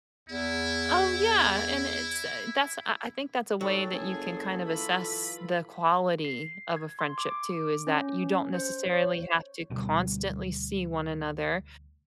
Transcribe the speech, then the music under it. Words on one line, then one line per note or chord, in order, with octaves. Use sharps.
Oh, yeah, and it's, uh that's, I I think that's a way that you can kind of assess the quality of a friendship too, is that you don't necessarily have to constantly see one another,
E2 E4
G#2 F#3 A4 G5
F#1 G#4
E3 F4 B5
C7
G#6
C6
D6
D6
C#4
C5
C#5
D2 B2 G3